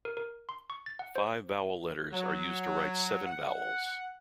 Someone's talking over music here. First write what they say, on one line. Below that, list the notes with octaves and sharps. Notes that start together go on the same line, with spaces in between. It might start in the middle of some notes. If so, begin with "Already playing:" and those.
Five vowel letters are used to write seven vowels.
A#4
A#4
C6
C#6
A6
F#5
C5
F#3
F#5